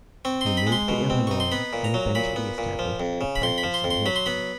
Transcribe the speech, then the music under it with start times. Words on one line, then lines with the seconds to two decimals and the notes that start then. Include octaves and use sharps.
He moved to Illinois and eventually established a practice in Hillsboro.
0.25 C4 C#6
0.41 C6
0.46 D#4
0.57 B5
0.67 G#3
0.72 C6
0.88 B2
1.10 C4
1.27 D#4 C#6
1.40 C6
1.51 B3 B5
1.73 A#2
1.84 A#5
1.94 F#3
2.15 A#2 B5
2.36 B3
2.58 A#2
2.79 F3
3.00 F2
3.21 C#3
3.36 B5
3.42 F2 C6
3.58 B5
3.63 F3
3.74 C6
3.84 F2
3.90 C6
4.06 F#3 B5
4.16 C6
4.26 B3 B5